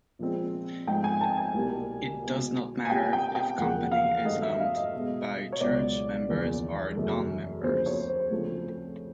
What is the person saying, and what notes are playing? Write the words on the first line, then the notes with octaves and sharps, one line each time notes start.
It does not matter if company is owned by church members or non-members.
A#2 F3 G#3 C4
G#2 F3 A3 C4 G5
G#5
A5
G#5
C2 B2 G3 A#3
B2 G#3 B3
G#5
A#2 G3 C4 G5
G5
G5
E2 C#3 F3 A#3 F#5
F5
G2 D#3 F#3 A3 D#5
E5
F5
D#5
B2 G#3 B3
C#5
C#2 B2 F#3 B3 D5
E2 C#3 F3 A#3
F#2 C#3 E3 A3
D2 C#3 F3 A#3 C5
C#5
C5
D2 C#3 F3 A3 C4